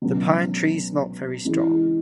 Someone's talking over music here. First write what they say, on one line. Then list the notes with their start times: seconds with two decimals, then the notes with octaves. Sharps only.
The pine-trees smelled very strong.
0.02 C#2 B2 F#3
1.45 C#2 C#3 E3 G#3